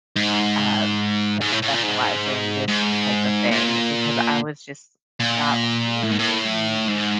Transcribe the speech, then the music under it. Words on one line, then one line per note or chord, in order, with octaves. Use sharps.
um, that specialize in this type of thing, because I was just got really really,
G#2
G#2
A2
A2
A#2
G#2
G#2
A#2
A#2
A2
G#2
A2
G#2